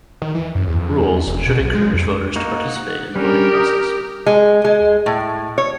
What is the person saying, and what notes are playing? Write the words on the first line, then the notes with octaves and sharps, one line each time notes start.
Rules should encourage voters to participate in the voting process.
D#3
E3
F#2
E2
F2
E2
E2
F1
B2
B1
G#3
F2
A#3 D#4 F#4
F#5
G3 C#4 D4 G4 A#4
D#6
G#3
G#3
A2
C#5